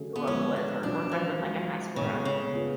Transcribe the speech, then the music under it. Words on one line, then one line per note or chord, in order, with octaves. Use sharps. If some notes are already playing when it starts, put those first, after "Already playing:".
grew up with or were friends with, like, in high school or, uh
Already playing: D3 F#3 A3 C#4 G#4
B3
F3 G#3 B3 C#4 F4 B4
D4
B2 F#3 C#4 D4 F4
F3
G#3 D4 F#4
A2 C#3 G#3 B3 D4
C#3
B3 F4 G#4 B4